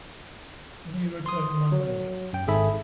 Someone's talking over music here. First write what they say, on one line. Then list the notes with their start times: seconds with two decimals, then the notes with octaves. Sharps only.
When are you returning my money?
1.26 C6 D#6
1.72 F#3
2.33 F#2 G5
2.47 G#1 G#2 G#4 A4 E5 B5